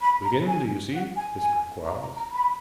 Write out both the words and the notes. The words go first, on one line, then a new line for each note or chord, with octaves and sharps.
"Wigan, do you see?" whispered Quarles.
B5
A#5
G#5
F#5
G#5
G#5
A#5
A#5
A#5
B5